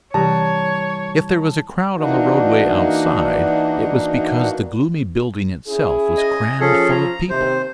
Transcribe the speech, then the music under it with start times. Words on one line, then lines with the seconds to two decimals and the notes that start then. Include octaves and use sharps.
If there was a crowd on the roadway outside, it was because the gloomy building itself was crammed full of people.
0.14 C2 E3 G3 C#5 A5 A#5 D#6
1.98 E3 A#3 D4 D#4 F#4
5.67 C#4 E4 G#4
6.17 D#5 G#5
6.61 F3 C#4 G#4 A4
6.91 A#5
7.30 D#2 C3 C5